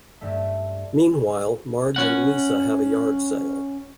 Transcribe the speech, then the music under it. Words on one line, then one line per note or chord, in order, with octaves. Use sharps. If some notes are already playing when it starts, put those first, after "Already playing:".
Meanwhile, Marge and Lisa have a yard sale.
G2 A3
C#4 F#5